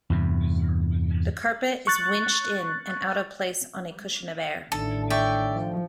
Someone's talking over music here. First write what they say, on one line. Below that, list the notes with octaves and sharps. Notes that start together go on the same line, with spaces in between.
The carpet is winched in and out of place on a cushion of air.
E2 G2 C3
C#6 F#6 A6
A1 D#3 A3 D4 A4
C#5 D5 E5 G5
F3